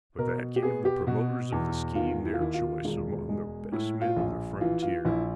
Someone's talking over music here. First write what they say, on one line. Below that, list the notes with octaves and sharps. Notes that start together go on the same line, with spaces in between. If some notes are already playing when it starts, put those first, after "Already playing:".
But that gave the promoters of the scheme their choice among the best men of the frontier.
B2 A#4
G4
B3 G#4
G4
B2 F#4
E2
D#3 F4
E4
F4
D#2 E4
F4
E1
G#3
A2 E4
F4
A#1
E3 F4
F4
A#1 E4